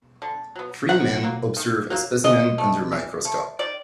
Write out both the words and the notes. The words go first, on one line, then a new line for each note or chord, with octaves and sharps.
Three men observe a specimen under a microscope.
D3
F#3 B3
D#3 F#5
F#3 A#3
D#3
F#3 A#3
E3 D#5
A3
E3
A3
D#3 D5